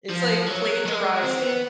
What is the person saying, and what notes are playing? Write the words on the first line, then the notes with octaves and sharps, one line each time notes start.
It's like plagiarizing.
F3
F#3
G#3
C4
B3